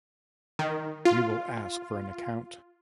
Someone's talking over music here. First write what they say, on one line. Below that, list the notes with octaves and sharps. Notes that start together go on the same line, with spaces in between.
We will ask for an account.
D#3
F4